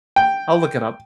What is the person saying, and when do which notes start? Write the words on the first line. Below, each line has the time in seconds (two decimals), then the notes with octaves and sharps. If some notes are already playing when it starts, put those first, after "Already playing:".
I'll look it up.
0.16 G5